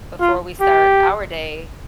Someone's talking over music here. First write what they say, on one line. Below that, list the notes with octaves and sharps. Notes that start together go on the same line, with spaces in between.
before we start our day,
F4
G4